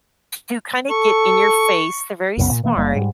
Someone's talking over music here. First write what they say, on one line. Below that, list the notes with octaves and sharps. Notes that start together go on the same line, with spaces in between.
to kinda get in your face- they're very smart-
A4 C#6
C2 F#2 C#3 B3
A#2
B2 E3 A#3
F#1 G3 A#3
G#2 G3